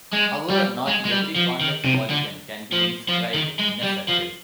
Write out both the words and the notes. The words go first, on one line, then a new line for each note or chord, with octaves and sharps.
However, not every convex polygon can be inscribed in a circle.
G#3
G3
G#3
G#3
G3
F3
D#3
C3
D3
F3
F3
D#3
G#3
G3
F3